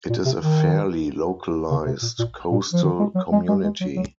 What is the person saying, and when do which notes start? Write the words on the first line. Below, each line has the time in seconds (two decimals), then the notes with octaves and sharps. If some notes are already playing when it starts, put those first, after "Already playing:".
It is a fairly localised coastal community.
0.10 A#2
0.25 C3
0.41 D#3
1.71 C#3
1.86 C3
2.02 A#2
2.19 A#2
2.52 A#2
2.73 F3
2.83 D#3
3.00 G#3
3.15 F#3
3.32 G#3
3.48 G#3
3.64 G#3
3.80 F#3
3.96 F#3